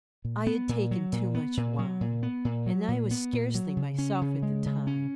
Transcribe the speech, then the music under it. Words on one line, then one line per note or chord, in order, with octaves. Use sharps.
I had taken too much wine, and I was scarcely myself at the time.'
A#2
B3
A#2
F#3
A#2
B3
A#2
F#3
A#2
B3
A#2
F#3
A#2
B3
A#2
F#3
C#3
C#4
C#3
G#3
C#3
C#4